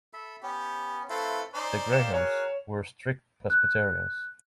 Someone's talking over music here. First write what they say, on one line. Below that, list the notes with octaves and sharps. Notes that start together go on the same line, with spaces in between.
The Grahams were strict Presbyterians.
A4 E5 B5
B3 C#4 G4
A3 C4 E4 F4 A4 B4
C#4 D#4 C5 D5
A#3 G4 E7
F#4 G#4 A#4 C#5
F#6